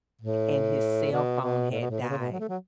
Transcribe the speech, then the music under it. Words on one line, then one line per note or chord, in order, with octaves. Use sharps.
and his cell phone had died.
A2
B2
B2
A2
B2
A2
B2
C#3
B2
F#3
A3
F#3